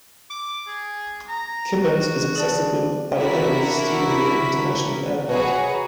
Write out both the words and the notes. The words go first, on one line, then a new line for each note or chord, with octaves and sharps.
Kippens is accessible by air with Stephenville International Airport.
D6
G#4
A#5
F#4
G#4 D5 A5
D4 E4 F#4 A#4 B6
F#4 G#4 B4 C#5 A#5